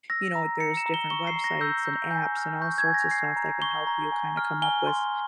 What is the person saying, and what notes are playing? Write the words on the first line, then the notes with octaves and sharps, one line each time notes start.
you know, there's different websites, and apps, and all sorts of stuff that can help you kinda come up with
E6 A#6
A#5
A#5 C#7
E7
A#5
G7
C#6 G7
C7
A#5
A#6
E6 G6
G6
G#5 G6
F6
C#6 G6
G#6
G#5
A#6
C#6 C7
A#5
C#6 G7
A#5
G#5
F6
G#5 G7
C6